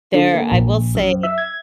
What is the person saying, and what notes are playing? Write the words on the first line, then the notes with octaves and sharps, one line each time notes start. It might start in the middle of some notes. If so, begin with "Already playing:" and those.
There I will say
D3
A#3
A#1
F#2
E5
G#6